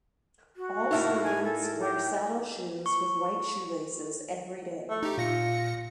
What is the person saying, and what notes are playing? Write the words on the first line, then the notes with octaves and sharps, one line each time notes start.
All students wear saddle shoes with white shoelaces every day.
F#4
A2 A#3 D#4 E4 E5 A5
G#5
A4
G4
C#6
A3
D#4 G4
A#2 F4 A#6 C#7